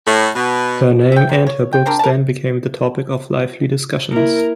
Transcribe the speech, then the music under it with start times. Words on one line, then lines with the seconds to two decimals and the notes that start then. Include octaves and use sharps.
Her name and her books then became the topic of lively discussions.
0.07 A2
0.36 B2
1.12 E5 G5
1.29 C3 B3
1.47 C#5
1.73 G5
1.86 C4 D4 A#4
1.99 A#4 A5
4.12 A#3 E4 A#4